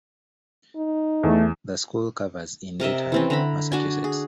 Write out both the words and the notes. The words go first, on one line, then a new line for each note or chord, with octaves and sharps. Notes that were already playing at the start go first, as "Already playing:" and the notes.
The school covers in Dedham, Massachusetts.
D#4
E2 A3
C3 A#4 D#5 E5
E3 C4 C#4
D3 A#5 B5
D4 F#4 G#5
G#4